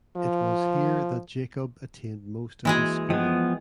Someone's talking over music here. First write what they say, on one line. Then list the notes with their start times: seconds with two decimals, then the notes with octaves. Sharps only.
It was here that Jacob attained most of his schooling.
0.17 F3
2.65 E3 G#3 A#3 F#4 G#4
3.10 F3 B3 D#5 G5 G#5